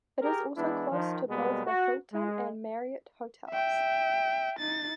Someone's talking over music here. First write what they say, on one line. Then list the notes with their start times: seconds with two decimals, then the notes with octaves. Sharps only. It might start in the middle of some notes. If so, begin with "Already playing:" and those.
It is also close to both the Hilton and Marriott hotels.
0.22 G4 G#4 A#4
0.57 E3 G#3 B3 D4 E4
0.91 D#3 F3
1.29 B2 G3 G#3 A#3 B3
1.66 F#4
2.12 G#3
3.50 E5 G5
4.59 D#4 A6